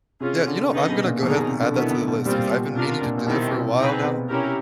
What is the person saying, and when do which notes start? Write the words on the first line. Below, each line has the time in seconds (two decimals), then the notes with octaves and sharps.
Yeah. You know, I'm gonna go ahead and add that to the list 'cause I've been meaning to do that for a while now.
0.20 C3 C#4 F4 G#4
0.47 D3
0.72 C#3 B3 D#4 G#4 B4 D#5
0.89 B2
1.06 A#2
1.22 B2 D#3 F#3 A#3 D#4 G#4
1.36 B2
1.48 C3
1.61 D3
1.74 D#3 F#3 B3 E4
1.91 B2
2.08 B2
2.24 A#2 G3 C4 F4
2.51 B2
2.75 C3 D4 F4 A#4
3.02 A#2
3.18 A#2
3.26 B2 D#3 G3 C4 E4 G4
3.48 B2
3.53 C3
3.78 C3 C4 D#4 G#4 B4
4.03 B2
4.28 C3 C#4 E4 G4 A#4